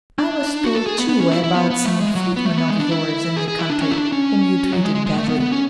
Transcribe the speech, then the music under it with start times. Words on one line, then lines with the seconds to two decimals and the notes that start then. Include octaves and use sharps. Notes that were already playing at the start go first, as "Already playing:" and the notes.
"I was told too about some footman of yours in the country whom you treated badly."
0.19 D4
0.64 F#4
0.75 A4
0.87 G#4
0.98 B3
1.09 B3
1.21 C#4
1.32 E4
1.43 E4
1.54 B3
1.70 B3
1.85 A3
2.01 G#3
2.15 F#3
2.36 B3
2.45 A3
2.57 B3
2.68 G#3
2.79 D4
2.91 E4
3.36 G#4
3.48 G#4
3.59 E4
3.70 D4
3.82 C#4
3.91 E4
3.97 D4
4.12 C#4
4.72 F#3
4.83 G#3
4.95 G#3
5.06 G#3
5.17 A3
5.29 B3
5.40 B3
5.51 C#4